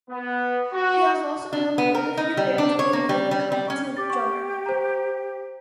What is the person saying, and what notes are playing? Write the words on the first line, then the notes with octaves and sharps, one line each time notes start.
He has also helped quite a few bands when they needed a competent drummer.
B3
F#4
D4
B3
A#4
D#4
G3
D4
C#5
A#3
G3
G3
G3
C#4
G4 D6 A6
F#5 C#6
C5 A#5